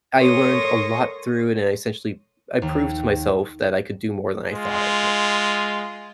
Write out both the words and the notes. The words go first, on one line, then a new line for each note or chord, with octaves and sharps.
I learned a lot through it and I essentially, I proved to myself that I could do more than I thought I could.
A4 A#4 C#5 C6 C#6 D#6
D#2
G#3 F4